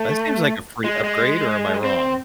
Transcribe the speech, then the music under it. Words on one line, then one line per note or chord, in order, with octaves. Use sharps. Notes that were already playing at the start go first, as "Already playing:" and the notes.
That seems like a free upgrade, or am I wrong?
Already playing: A3
G#3
G#3
C4